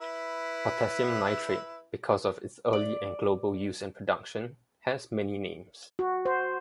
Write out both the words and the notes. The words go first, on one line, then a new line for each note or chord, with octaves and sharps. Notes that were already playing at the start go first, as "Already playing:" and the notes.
Potassium nitrate, because of its early and global use and production, has many names.
E4 B4
D5
F#4
C5